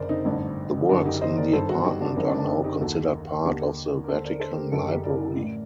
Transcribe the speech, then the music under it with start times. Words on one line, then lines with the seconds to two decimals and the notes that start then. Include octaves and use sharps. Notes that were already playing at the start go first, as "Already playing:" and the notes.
The works in the apartment are now considered part of the Vatican Library.
Already playing: F#1 F#2 D3 A#4 C5 D5
0.09 C4 D#4
0.25 A1 G2 D3
0.89 F#1 F#2 D3 D4 F#4
1.06 D#4 G4
1.21 C5 D#5
1.37 A#4 D5
1.53 G1 G2 D#3 A4 C5
1.69 F#4 A4
1.84 D#4 G4
2.01 D4 F#4
2.16 F#1 F#2 D3 C4 D#4
2.28 D4
2.39 D4
2.48 C4 D#4
2.64 D#4 G4
2.81 D#2 D#3 F#4 A4
3.45 D#2 D3 G4 A#4
4.04 A#4
4.08 D#2 D3 A4 C5
4.24 A#4 D5
4.40 A4 C5
4.56 G4 A#4
4.72 F#1 F#2 D3 F#4 A4
4.88 G4 A#4
5.04 A#4 D5
5.37 A1 A2